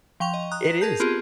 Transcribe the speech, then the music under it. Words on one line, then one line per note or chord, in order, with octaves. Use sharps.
It is.
F3 G5 C#6 F7
D#5
A#5 D#6 F#6
B4
G#4 A#4 A5 G6 C7
B3 C4 F4 G4 G#4